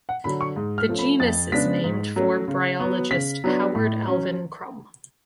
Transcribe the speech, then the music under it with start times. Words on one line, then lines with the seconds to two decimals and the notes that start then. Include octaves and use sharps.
The genus is named for bryologist Howard Alvin Crum.
0.09 F#5
0.24 D3 F#3 B5
0.41 C#6
0.56 G#2
0.78 F6
0.89 F3 A3 C#4
0.99 B5
1.20 F2 A6
1.52 C#3 G#3 B3 D4 B6
1.84 G#2
2.16 F#3 A3 C#4
2.48 C#3
2.80 F#3 B3
3.11 C#3 B6
3.44 F#3 B3 D4
3.75 A2
4.07 F#3 C#4